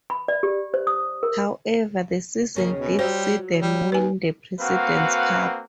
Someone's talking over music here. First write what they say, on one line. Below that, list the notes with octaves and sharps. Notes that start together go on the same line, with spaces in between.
However, the season did see them win the President's Cup.
B5
D5
G4
C5
D#6
A#4
D#2 C#3 A#3 C#4
B2
F#3 G3 F4 C5
G3
D#2 B4 G#5
A#3 C4 F#4 B4 F5 F#5